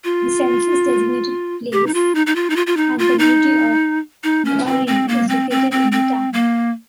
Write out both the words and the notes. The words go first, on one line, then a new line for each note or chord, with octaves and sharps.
The census-designated place and community of Navarino is located in the town.
F4
G4
D#4
F4
D#4
D#4
F4
D#4
F4
F4
D#4
F4
D#4
D#4
C#4
C4
C4
A#3
C4
C4
C4
C4
A#3